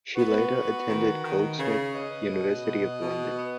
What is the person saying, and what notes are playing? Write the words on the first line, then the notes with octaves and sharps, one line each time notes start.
She later attended Goldsmiths, University of London.
B3 F#4 B4
B3
D#3
D#3
C#3 G#4 C#5
C#3 B4 D#5
B2
B2
B2
B3